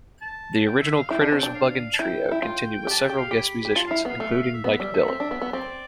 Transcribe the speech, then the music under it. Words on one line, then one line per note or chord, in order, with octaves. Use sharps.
The original Critters Buggin trio continued with several guest musicians, including Mike Dillon.
A5
G5
E5
F5
E4 G5
D4 A5
C4
D4 G5
F5
A5
E4 G5
E4
F4
G4 A5
G5
G4
F5
G4 B5
G4
F4 A5
E4 F5
B3 F5
A3 F5
E5
F5
E5
B3 E5
G3
A3
C4
D4
B3
B3
C4 D5